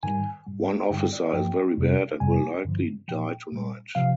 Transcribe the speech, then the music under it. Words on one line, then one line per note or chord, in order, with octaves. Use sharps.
One officer is very bad and will likely die tonight.
G#2 D#3 G3 G#5
G#2 G3
G2 D3 G3 G5
G5
D5
D#5
G2 F3 G5
F2 C3 G3
F2 C3 G3 G#5
G2 D3 F3
A#2 F3 G5
A#2 G3
C3 F3 F5